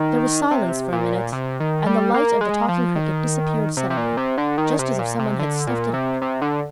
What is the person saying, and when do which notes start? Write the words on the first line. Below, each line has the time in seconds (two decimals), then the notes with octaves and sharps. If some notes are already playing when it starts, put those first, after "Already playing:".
There was silence for a minute and the light of the Talking Cricket disappeared suddenly, just as if someone had snuffed it out.
Already playing: D#3
0.51 C3
0.92 A#2
1.32 C3
1.60 D#3
1.86 G3
2.14 A#3
2.41 G#3
2.68 F3
2.95 D#3
3.77 C3
3.90 C3
3.97 A#2
4.17 C3
4.38 D3
4.58 D#3
4.79 C3
4.99 A#2
5.19 C3
5.39 D3
5.67 A#2
5.94 C3
6.22 C3
6.42 D3